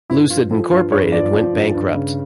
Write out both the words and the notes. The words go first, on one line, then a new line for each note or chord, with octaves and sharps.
Lucid Incorporated went bankrupt.
G2 E4
F3 F4
F3 A4
G2 F4
G2 C#5
F3 D5
F3
G2
G2
C#3